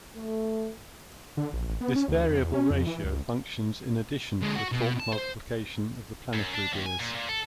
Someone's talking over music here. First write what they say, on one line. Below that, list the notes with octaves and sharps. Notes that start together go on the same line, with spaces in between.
This variable ratio functions in addition to the torque multiplication of the planetary gears.
A3
D3
A#1
A1
B3
C#4
D2
F2
E2
C#4
F2
E3
C#2
D3 G#3
F#4
B2
A5
C5
F#2
D4
D#2
G#5
A#2
A#2
A4